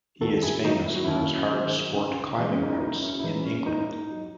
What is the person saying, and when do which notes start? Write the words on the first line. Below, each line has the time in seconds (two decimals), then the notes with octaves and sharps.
He is famous for his hard sport climbing routes in England.
0.21 D#2 F#4 A4
0.42 E4 G#4
0.64 D#3 F#3 D#4 F#4
0.86 E4
0.95 F#4
1.04 D#2 C#4 E4
1.51 D#3 F#3
1.94 C#2
2.37 C#3 E3 G#3
2.55 C#4
2.63 D#4
2.72 E4
2.80 C#2 D#4 F#4
3.02 C#4 E4
3.19 E4
3.23 C#3 E3 G#3 D#4
3.45 C#4
3.66 G#2 D#4
4.11 F#3